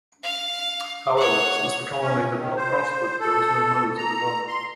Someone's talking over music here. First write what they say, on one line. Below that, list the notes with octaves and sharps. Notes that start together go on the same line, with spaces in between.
However, since the colony had not prospered, there was no money to divide.
F5
C#5 F#5
C#4
D#3
C5
A4
A#5
C6